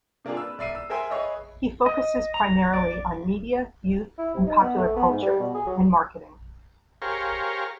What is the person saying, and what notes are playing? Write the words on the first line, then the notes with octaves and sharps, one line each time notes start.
He focuses primarily on media, youth and popular culture, and marketing.
C3 A#3 D4 F4 G#4
B4 E6
E1 D5 E5 C7 D#7
E6
G#4 A#4 C5 E5 G#5
G#4 B4 C#5 D#5 E5
D#5
A#5
D5
E4
C3
D#4
B3
A3
B3
G#2
G3
B2
G#4
F#3
G4 G#4 A#4 C5 C#5 F5